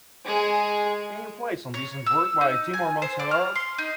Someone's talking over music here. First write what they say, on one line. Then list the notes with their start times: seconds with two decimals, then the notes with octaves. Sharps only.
Can you play some decent work by Timour Moutsouraev?
0.25 G#3 G#4
1.74 C#5
2.06 E6
2.41 D#4
2.73 G#5
3.02 C5
3.19 D5
3.31 F6
3.55 C6
3.78 D#4